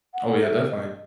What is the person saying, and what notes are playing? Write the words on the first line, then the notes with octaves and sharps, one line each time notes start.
Oh yeah, definitely.
F#5
E5
D#5